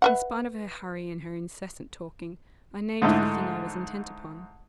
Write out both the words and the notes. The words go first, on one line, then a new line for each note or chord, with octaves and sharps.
In spite of her hurry and her incessant talking, I named the thing I was intent upon.
B4 E5 F#5
G#2 D3 G#3 A3 E4